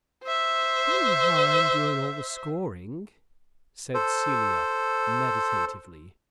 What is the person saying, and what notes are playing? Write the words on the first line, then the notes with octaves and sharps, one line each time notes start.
"Funny how I'm doing all the scoring," said Celia meditatively.
C5 E5
A4 C5